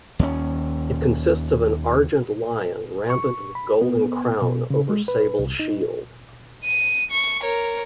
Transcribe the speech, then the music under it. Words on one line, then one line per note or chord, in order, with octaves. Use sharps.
It consists of an argent lion rampant with golden crown over sable shield.
D#2 C#4
C#6
B5
B3
B2
C#3
G#3
B4
C2
D#4
D#7
C#6
A#4 C#5